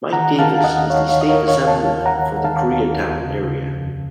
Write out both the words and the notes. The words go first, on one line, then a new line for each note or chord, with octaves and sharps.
Mike Davis is the State Assemblyman for the Koreatown area.
D#3 F#5 A#5
D#3 F5 A5
D#2 D#5 F#5
D#2 C#5 F5
C#5 F5
D#3 D#5
A#4 C#5
D#3
C#5 F5
D#2 F5 A5
D#2
F#5 A#5
D#3
D#3 F5 A5
D#2
D#2
C#3
C#3
F2